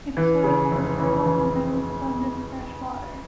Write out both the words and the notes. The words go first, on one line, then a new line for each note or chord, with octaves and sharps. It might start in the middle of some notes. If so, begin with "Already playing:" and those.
Its soil was fertile and there was abundant fresh water.
E3
C#3
F1
E3
E3